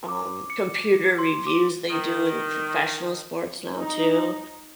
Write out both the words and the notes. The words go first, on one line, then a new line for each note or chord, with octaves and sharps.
um, computer reviews they do in professional sports now, too,
D6
C#7
C6
D6
D#3
D#4